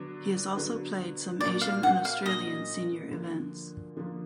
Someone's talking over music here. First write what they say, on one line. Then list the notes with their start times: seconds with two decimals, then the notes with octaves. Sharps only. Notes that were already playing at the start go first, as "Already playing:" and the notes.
He has also played some Asian and Australian senior events.
Already playing: D3 F#3 B3 D4
0.55 D3 F#3 B3 D4
1.41 A#2 F#3 A#3 D4 D5
1.61 F5
1.83 F#5
2.05 F5
2.25 A#2 F#3 A#3 D4 D#5
3.11 D3 F3 A#3
3.97 D3 F3 A#3